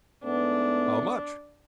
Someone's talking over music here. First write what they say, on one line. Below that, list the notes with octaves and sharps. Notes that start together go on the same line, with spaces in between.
How much?
G#2 A3 B3 D4